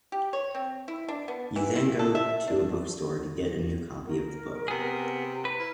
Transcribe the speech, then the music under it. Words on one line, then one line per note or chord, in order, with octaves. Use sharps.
You then go to a bookstore to get a new copy of the book.
G4
C#5
C4
E4
D4
B3
E3
E4
A4
E5
D4
A#4
C3 B3 G#4
B4
E4 F6